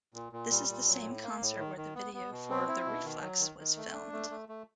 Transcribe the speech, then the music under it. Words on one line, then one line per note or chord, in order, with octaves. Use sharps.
This is the same concert where the video for "The Reflex" was filmed.
A#2
A#2
G3
A#2
F#3
A2
A#3
A2
D#3
D#3
B3
B3
B2
C4
E4
B2
D#3
F#3
D#3
D#3
A3
D4
A3
A3
A3